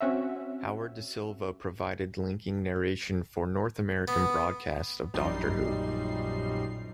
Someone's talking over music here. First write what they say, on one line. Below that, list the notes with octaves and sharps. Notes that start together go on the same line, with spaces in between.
Howard Da Silva provided linking narration for North American broadcasts of Doctor Who.
C4 C#4 F#4 E5
B3
A#1 F#2 G3 D#4 C6 C7